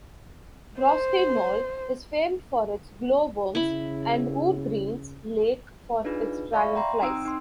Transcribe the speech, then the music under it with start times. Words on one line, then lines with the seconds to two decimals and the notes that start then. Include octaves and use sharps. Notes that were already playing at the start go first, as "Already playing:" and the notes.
Gorsty Knoll is famed for its glow-worms and Woorgreen's lake for its dragonflies.
0.80 C5
3.55 C#3 E4 B5
6.05 D4 D#4 F4 G#4 B4
6.53 D5 E5 F5 B5 C#6
6.75 G5 A#5 C6
7.02 C4 D#4 G5 D#6 E6 D7
7.25 D#4 C6